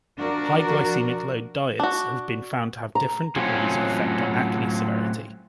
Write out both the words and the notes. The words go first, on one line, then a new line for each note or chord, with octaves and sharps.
High-glycemic-load diets have been found to have different degrees of effect on acne severity.
F3 D4 F#4 A#4
D4 F#4
A#5
A2 F#3 C4 C#4 F4